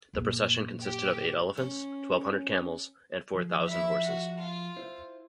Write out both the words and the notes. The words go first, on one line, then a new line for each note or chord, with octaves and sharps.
The procession consisted of eight elephants, twelve hundred camels, and four thousand horses.
A#1 F#2
G4
C#4
F3 G#4
E4 E5
F#4
F4
E4 C5